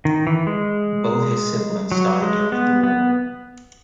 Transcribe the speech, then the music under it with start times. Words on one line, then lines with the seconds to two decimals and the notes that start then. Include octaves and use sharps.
Both his siblings died during the war.
0.05 D#3
0.27 E3
0.47 G#3
1.92 F#3
2.22 G#3
2.52 B3
2.84 B3